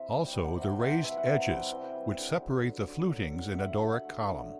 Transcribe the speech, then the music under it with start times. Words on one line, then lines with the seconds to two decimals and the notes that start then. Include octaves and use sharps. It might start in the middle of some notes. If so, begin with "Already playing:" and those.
Also the raised edges which separate the flutings in a Doric column.
Already playing: C3 E3 E5
0.09 G3
0.26 G5
0.33 G3
0.44 F#5
0.56 C3
0.62 G5
0.79 C3 G5
0.91 F#5
1.03 E3 E5
1.17 F#5
1.25 C3
1.49 G3 G5
1.72 E3
1.84 G5
1.96 G3
2.18 D3
2.42 F#3
2.65 D3
2.88 D3
3.11 F#3
3.35 D3
3.54 D3 E5 F#5
3.82 D3
4.05 A3
4.28 D3